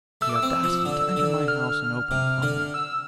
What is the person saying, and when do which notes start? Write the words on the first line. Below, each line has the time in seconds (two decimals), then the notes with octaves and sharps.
The audacity to enter my house, and open upon me!
0.21 A3 E6
0.29 D6
0.36 E6
0.43 C4
0.63 F3
0.85 D3
1.17 D3
1.48 F6
2.11 C3
2.42 D3
2.74 E6